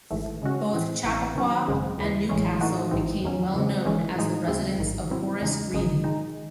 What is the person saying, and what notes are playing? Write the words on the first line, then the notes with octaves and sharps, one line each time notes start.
Both Chappaqua and New Castle became well known as the residence of Horace Greeley.
G#1 G#2 E3 A3
C#3 G#3 C#4 F#4
A2 E3 C4
A1 A2 E3 C4
D#3 F#3 C#4
G#1 F#2 C#3 G#3 C4
D#2 C#3 E3
A1 A2 E3 G#3 C#4
A2 E3 A3 D#4 F#4
A1 G#2 E3 C4 D#4
E2 D#3 F#3 C#4
E2 C#3 G#3 C4
G#1 G#2 E3 G#3 C#4
A2 E3 G#3 D#4
D#2 C#3 G#3 C4 E4
A1 G#2 D#3
C3 F#3 C4 E4
E2 C#3 G#3 D#4
G#1 F#2 C#3 G#3 D#4
G#2 D#3 G#3 D#4